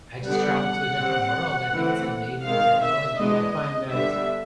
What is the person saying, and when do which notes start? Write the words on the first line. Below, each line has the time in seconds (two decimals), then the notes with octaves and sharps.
I just traveled to a different world. I think it's an amazing technology. I find that
0.27 D3 G3 B3 D4 F#5
1.00 G3 C4
1.73 E3 A3 C4
2.45 D#3 G#3 C4 F5
2.82 E5
3.19 E3 G#3 B3 D4 D#5
3.91 D3 G3 B3 D4 E5